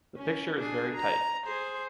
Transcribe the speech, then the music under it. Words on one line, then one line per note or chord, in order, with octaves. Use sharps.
The picture is very tight.
C#4
D4 G#4
A#5
G#4 C5